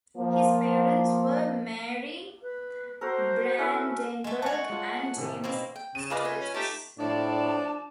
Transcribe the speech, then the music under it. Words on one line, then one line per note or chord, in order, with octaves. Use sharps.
His parents were Mary Brandenburg and James Sturgis.
F3 A#3
B4
F#4 A4 A#4 C5
C#4 E4 A4 B4
G#3 A3
F#4 C#5 F#5 G#5 A5
G#3 F4
A2 C3 D#3
B2 A#3 C4
G5
C#3 D#7 E7
F4 G#4 A#4 B4 D5 D#5
G#5
C#4
A3 D#4 G4 A5
A2 F3 D4 D5 A5